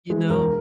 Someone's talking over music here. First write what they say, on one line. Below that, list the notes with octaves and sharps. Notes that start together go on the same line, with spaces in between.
You know
E3 G#3
E1 A#4